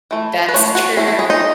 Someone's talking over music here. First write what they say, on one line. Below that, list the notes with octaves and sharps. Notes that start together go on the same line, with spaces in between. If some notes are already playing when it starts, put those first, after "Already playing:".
That's true.
E3 A3
B4
E3 A3 C#4 C#5
F#4
E3 A3 C#4 E4
E4
G#4
D#4